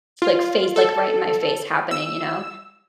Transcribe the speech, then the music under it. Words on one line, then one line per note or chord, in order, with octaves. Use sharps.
like, face like, right in my face happening, you know?
F4
A4
E6